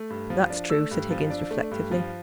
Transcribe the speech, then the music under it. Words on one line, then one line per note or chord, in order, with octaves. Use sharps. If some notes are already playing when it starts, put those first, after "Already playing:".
'That's true,' said Higgins, reflectively.
Already playing: A3
G2
F3
D4
A3 E6
G2
F3
D4
A3
G2
F3